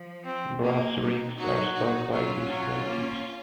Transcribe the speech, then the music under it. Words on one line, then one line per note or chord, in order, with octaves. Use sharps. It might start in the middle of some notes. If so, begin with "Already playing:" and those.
Brass rings are sold by these natives.
Already playing: F3
C4
G#3 A#3 C4
C4 D#4
F#3 D#4 F#4
D#4 F#4
F#3 C#4 F4
F#3
A#3